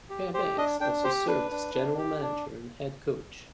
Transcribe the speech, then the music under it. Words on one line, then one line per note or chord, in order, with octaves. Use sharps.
Fairbanks also served as general manager and head coach.
G4
G4 C5
D4 D#5
D4 G5
G4 C5
D4 B4
D4
D4
G4
D4